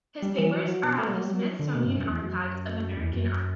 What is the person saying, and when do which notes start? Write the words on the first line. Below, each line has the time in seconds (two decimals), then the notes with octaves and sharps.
His papers are at the Smithsonian Archives of American Art.
0.22 G3
0.38 E3
0.53 F#3
0.63 E3
0.68 F#3
0.83 B2
0.98 A3
1.07 G3
1.14 F#3
1.24 G3
1.34 F#3
1.59 D3
1.75 B2
1.85 G2
1.95 F#2
2.05 E2
2.21 F#2
2.96 E2
3.12 F#2